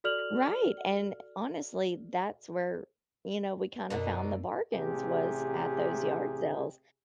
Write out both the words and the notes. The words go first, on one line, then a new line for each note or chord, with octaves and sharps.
Right and honestly, that's where, you know, we kinda found the bargains was at those yard sales
F#4 A4 D5 F6 F7 F#7
F#2 B2 D3 D#4 A#4
A1 C3 G4 G#4